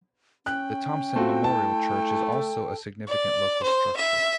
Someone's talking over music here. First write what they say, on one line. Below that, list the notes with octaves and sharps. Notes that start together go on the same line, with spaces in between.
The Thomson Memorial church is also a significant local structure.
C#4 G5 F#6
A3 C4 F4 F#4
E4 A5
A4
D5
C5
E5